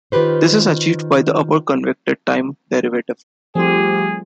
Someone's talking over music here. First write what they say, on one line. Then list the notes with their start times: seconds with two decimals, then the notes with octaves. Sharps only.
This is achieved by the upper convected time derivative.
0.12 D#3 F4 G4 B4 C5
3.55 F3 G3 A3 C4 F4 G4 G#4